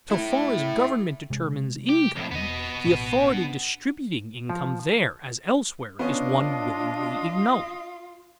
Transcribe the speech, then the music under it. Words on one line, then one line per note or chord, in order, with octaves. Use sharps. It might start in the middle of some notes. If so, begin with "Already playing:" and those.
So far as government determines income, the authority distributing income there, as elsewhere, is one willingly acknowledged.
E4 A4
C3 G#3
G4
F2 A2
E1 B3 D#5
A1 B2
D4
F3
B3 C#4 D4 F4 D#5